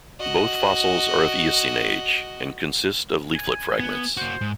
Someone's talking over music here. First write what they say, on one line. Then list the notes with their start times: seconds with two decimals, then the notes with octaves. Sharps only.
Both fossils are of Eocene age, and consist of leaflet fragments.
0.20 F#4 D#5
3.35 G#5
3.80 B3
4.17 A#3 F#4 C5
4.41 G#2